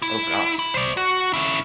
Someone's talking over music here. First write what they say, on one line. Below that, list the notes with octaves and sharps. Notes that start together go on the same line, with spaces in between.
Oh, gosh.
E4
E4
C5 D5
F#4
C#4 E4